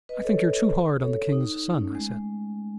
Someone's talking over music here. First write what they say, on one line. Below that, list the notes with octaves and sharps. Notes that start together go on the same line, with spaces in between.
"I think you're too hard on the king's son," I said.
B4 D#5
A4 C#5
A4 C#5
D#4
D#4
C#4
A3
G#3